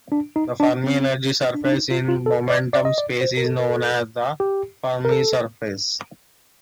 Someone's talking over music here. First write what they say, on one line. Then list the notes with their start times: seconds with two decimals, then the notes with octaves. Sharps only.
The Fermi energy surface in momentum space is known as the Fermi surface.
0.12 D4
0.36 D#4
0.60 D4
0.84 C4
1.54 D4
1.65 D4
1.72 D#4
1.91 F4
2.08 F4
2.26 A4
2.50 D5
2.73 D5
2.85 D#5
2.98 D5
3.21 C5
3.37 A#4
3.45 A4
3.59 A#4
3.69 A4
4.40 G4
5.05 A#4
5.11 A4